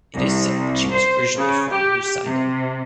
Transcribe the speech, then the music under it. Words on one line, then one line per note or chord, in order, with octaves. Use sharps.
It is said that she was originally from Nousiainen.
C2
C5
C#3
G4
C3